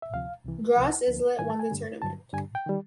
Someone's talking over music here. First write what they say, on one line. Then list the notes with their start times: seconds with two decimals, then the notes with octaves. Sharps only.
Gros Islet won the tournament.
0.02 E5
0.14 D2 C3 F3 F5
0.45 C2 C3 E3
0.76 C2 C3 F3 F#5
1.07 D2 D3 F3
1.39 G#2 D#3 G3 G#5
1.50 A5
1.59 G#5
1.71 G2 D3 G3
2.02 G2 D3 F#3 A5
2.33 G2 D3 G3 G#5
2.55 G5
2.67 D#3 G3